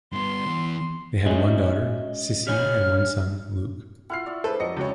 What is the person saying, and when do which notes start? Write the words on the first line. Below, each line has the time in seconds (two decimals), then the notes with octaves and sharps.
They had one daughter, Cissy, and one son, Luke.
0.13 G2 B3 C6
0.46 E3 B3
1.26 G#3 C#4 F#4 D#5 E5 G#5
2.47 G4 C#5 G#5 F6
4.10 E4 F4 F#5 F6 C7
4.26 D5 C#6 E6
4.44 G#4 A4 B4 C5
4.60 F2 F#3 D#5 C#7
4.77 C#2 F#4 G4 C#5 A5